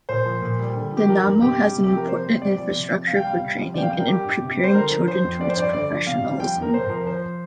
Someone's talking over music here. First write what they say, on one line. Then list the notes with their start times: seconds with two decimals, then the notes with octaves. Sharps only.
Dinamo has an important infrastructure for training and preparing children towards professionalism.
0.09 A#2 C5
0.26 F3
0.42 A#2
0.59 G3
0.75 D3
0.92 F3
0.97 G4
1.09 F3 A#4
1.26 G2
1.42 C3 G4
1.59 G3
1.76 C3
1.84 G4
1.91 F3
1.97 A#4
2.08 C3 C5
2.25 G3
2.42 C3 D5
2.58 F3
2.75 C3
2.91 F3
3.07 C3 F5
3.16 G5
3.24 G3 F5
3.41 C3
3.58 F3
3.74 C3 D5 G5
3.83 F5
3.91 G3 G5
3.99 A#4
4.07 G3 G4
4.25 G2
4.41 C3
4.58 G3
4.64 C5
4.74 D3 A#4
4.91 F3
5.07 F3 C5
5.24 F2
5.40 F3 D5
5.49 C5
5.56 G2 D5
5.73 D3 D5
5.90 F3
6.07 C3 F5
6.23 G3
6.40 F3 G5
6.56 F2
6.62 A#4
6.73 C3 C5
6.89 F3 A#4
7.06 F3 C5